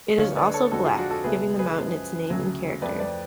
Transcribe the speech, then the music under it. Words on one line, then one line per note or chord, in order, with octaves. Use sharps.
It is also black, giving the mountain its name and character.
D2 D3 G#3 C#5 F5
B4 D5
A4 C#5
F2 D3 G#3 F#4 A4
F4 G#4
D4 F#4
F#4 A4
C#2 B2 A3 G#4 B4
G#4 B4
F#2 F3 G#3
D2 C#3 F#3 A3
F2 F3 A3 B4 D5
B4 D5